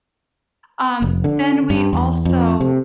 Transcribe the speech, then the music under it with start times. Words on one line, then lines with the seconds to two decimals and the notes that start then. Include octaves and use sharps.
um, but then we also,
1.02 F1
1.24 D3
1.70 G2
1.93 E2
2.25 F2
2.60 C3